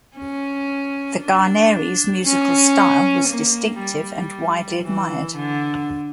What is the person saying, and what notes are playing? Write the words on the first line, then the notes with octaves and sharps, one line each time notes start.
The Guarneri's musical style was distinctive and widely admired.
C#4
D4
C#4
A#3
G3
E3
D3